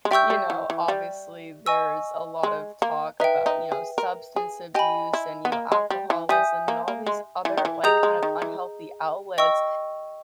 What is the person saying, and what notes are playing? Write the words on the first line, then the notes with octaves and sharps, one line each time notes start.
you know, obviously there's a lot of talk about, you know, substance abuse, and, you know, alcoholism, and all these other, like, kind of unhealthy outlets.
G#3
G3 E5 G5 C#6 E6 G6
G3
E3
E3
G3
D#5 G#5 C#6 E6
G#3
A#3
D#4 B4 E5 G5
D#4
G#4
A#4
G#4
G4 D#5 G#5 B5
E4
B3
A#3
G#3
G3
E3
G3 E5 G#5 D#6 G6
A#3
A#3
G#3
E3
D#3
E3
G3 G#4 D#5 A#5 D#6 G6
G#3
D#3
E3
D#5 G5 C#6 E6